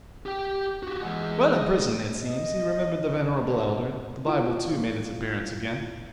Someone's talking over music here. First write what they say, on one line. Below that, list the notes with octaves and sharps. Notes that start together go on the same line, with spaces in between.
Well, in prison, it seems, he remembered the venerable elder; the Bible, too, made its appearance again.
G4 G5
F#4 G4
E3 G#3 F#5
D#5
D#5
D3
E4 F4 F5